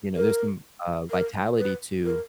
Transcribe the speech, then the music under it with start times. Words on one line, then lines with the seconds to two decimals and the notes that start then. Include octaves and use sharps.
you know, there's some, uh, vitality to
0.16 A#4
1.10 A#4
1.58 B4
2.05 A#4